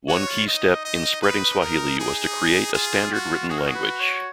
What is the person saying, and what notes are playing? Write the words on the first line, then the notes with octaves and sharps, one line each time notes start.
One key step in spreading Swahili was to create a standard written language.
F#4 C#5
F4
D#4 D#5
D#5
B4
A#4
G#4
F4 G#4
F#4
F#4 G#4
A#4
G#4
B4
C#5